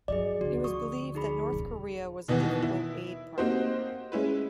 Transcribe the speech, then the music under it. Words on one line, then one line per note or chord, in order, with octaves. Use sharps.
It was believed that North Korea was a difficult aid partner.
G2 F#3 G#4 D5 D#5
D2 C3 F#4
D2 F3 C#6 D#6
D#4 G#4 B5
D#1 C#3
D#2 B2 D#3 E3 B3
E4
A#3 C4 D#4 F#4 G4 C5
G#3 C#4 E4 B4